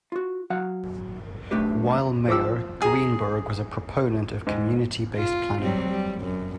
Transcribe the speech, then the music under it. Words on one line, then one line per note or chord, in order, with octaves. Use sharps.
While mayor, Greenberg was a proponent of community-based planning.
F4 F#4
F#3 F#4 F5 F#5
B1 A3 D4 G4 B4
F3 D6 E6
G#4 G#5 A#5
G#2
F4
F#3 G3 C4
G3
F#2